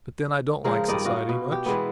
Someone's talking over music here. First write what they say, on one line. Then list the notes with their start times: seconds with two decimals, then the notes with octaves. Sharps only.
But then, I don't like society--much.
0.64 C#3 F3 G#3 A#4
0.88 G2 D#3 D5 D#5
1.05 F4 F#4 D#5
1.29 B2
1.52 G4
1.66 E3 G#3 B3